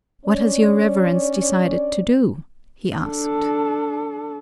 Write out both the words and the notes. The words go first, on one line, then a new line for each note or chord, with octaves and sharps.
"What has your Reverence decided to do?" he asked.
C#4 D4 C#5 D5
D4 A4